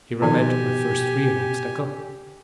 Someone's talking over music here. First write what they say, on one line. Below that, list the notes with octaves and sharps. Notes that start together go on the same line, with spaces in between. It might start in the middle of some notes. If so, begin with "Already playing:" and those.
Here I met my first real obstacle.
B2 D#3 F3 D#4 G4 G#5